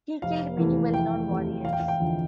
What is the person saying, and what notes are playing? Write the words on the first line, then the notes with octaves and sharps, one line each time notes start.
He killed many well-known warriors.
F1 F5
E2 C3 E3 A3
F1 G5
E2 C3 E3 A3
E1 F5
G5
F5
G5
E2 D3 F3